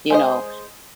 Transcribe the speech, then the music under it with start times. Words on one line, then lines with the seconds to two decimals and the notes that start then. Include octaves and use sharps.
You know,
0.10 G#3 C5 D#5